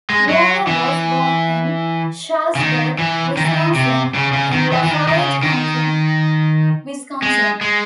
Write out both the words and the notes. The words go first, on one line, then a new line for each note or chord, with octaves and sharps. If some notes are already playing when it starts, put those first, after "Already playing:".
Warner was born in Shullsburg, Wisconsin, in Lafayette County, Wisconsin.
G#3
F#3
E3
C#3
D#3
E3
D#3
E3
D#3
C3
C#3
C#3
D#3
E3
E3
D#3
D#3
C#3
D#3
G#3
G#3